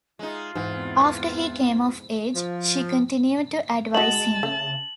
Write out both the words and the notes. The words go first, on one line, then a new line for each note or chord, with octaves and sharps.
After he came of age, she continued to advise him.
G#3 D#4 F4
E2 G#2 E3 B3 C4
F3
G#3 F#4 D#5 A5 F#7
C#3 A3